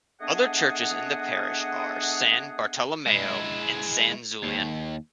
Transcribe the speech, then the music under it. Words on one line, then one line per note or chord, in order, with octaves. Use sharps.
Other churches in the parish are San Bartolomeo and San Zulian.
A3 B3 D4 G#4 D#5 F#5
G#3 E4
D#2